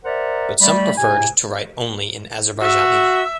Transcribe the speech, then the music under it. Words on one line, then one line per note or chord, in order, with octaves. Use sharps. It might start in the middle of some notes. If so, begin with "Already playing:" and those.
But some preferred to write only in Azerbaijani.
A#4 C5 D5 E5 F#5 A#5
G3 A3 B5
A2 C3 G#5
F#4 E5